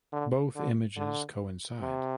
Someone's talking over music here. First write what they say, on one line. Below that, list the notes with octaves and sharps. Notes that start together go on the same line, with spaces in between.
Both images coincide.
D3
D3
D3
C3